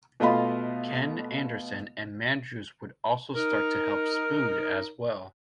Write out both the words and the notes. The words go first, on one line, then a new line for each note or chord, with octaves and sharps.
Ken Anderson and Mandrews would also start to help Spud as well.
B2 A3 F4 D#5 F5 B5
D#4 A#4